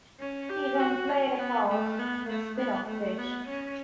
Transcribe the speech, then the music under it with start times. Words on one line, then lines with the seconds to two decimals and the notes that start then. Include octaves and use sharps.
He then played a part in the spin-off “Fish”.
0.20 C#4
0.50 G4
0.80 F#4
1.10 C#4
1.39 B3
1.69 A3
1.99 B3
2.29 A3
2.58 B3
2.88 A3
3.18 B3
3.49 C#4